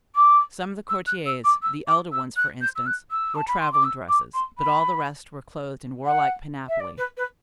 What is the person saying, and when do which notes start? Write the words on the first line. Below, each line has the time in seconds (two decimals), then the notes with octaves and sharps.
Some of the courtiers--the elder ones, for instance--wore traveling dresses; but all the rest were clothed in warlike panoply.
0.15 D6
0.89 E6
1.07 F#6
1.26 E6
1.44 D6
1.62 E6
1.87 D6
2.12 E6
2.36 F#6
2.61 G6
2.76 E6
2.86 F#6
3.11 E6
3.35 A5
3.47 B5
3.59 C6
3.72 D6
3.84 E6
4.08 D6
4.34 C6
4.58 B5
6.05 F#5
6.68 E5
6.80 D5
6.98 B4
7.17 B4